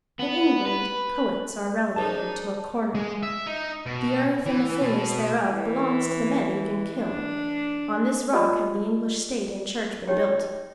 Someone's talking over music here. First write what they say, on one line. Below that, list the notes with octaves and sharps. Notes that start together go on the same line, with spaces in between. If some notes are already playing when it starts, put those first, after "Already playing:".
In England poets are relegated to a "Corner." The earth and the fulness thereof belongs to the men who can kill; on this rock have the English State and Church been built.
B3
B4
F#2 D4 D#4 G#4 A#4 C5 A5
G#3
E5
D#4
B2
E3
B2
E3
D4
F4 G4 D5 D#5
D#4 G4 C#5 G5